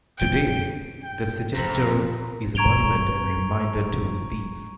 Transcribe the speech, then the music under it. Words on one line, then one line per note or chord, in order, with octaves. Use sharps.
Today, the Siegestor is a monument and reminder to peace.
G5
G5
F2 C4 A4 A#5 B5
A#5 C#6 G#6 D7 F7 G7